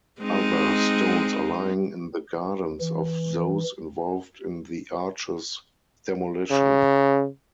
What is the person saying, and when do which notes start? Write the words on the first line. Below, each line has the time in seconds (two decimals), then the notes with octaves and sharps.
Other stones are lying in the gardens of those involved in the arch's demolition.
0.21 G#3 C4 D#4
2.81 E3
6.51 C#3